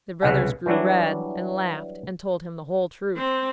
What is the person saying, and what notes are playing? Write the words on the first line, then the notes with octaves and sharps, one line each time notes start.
The brothers grew red, and laughed, and told him the whole truth.
C2 C#3 E3 F#3 F#5 G#5
E3 F#3 G3 D4 E4
C4